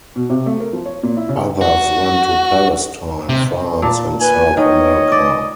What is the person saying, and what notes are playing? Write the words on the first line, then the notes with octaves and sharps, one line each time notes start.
Others went to Palestine, France and South America.
B2
C3
A3
A#4
F3
C#5
A#2
E4
C#3
F#4
C3
A#2 A5
B4 G#5
D#3 C#5 D#5
D5